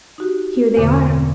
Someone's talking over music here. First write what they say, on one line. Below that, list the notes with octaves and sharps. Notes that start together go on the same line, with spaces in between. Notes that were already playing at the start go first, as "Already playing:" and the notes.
"Here they are."
D#4 F#4 G4
E2 G2 B2 D3 C5 D6